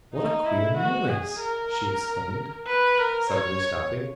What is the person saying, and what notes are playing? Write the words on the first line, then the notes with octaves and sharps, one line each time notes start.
"What a queer noise!" she exclaimed, suddenly stopping.
D#4
E4
F#4
G#4
A#4
B4
A#4
C#5